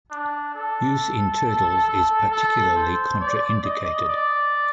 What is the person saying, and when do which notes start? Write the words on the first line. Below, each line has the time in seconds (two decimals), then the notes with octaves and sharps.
Use in turtles is particularly contraindicated.
0.11 D4
0.55 A4
1.88 A4
2.32 A4
2.76 C5
3.21 D5
3.65 D#5
4.09 D5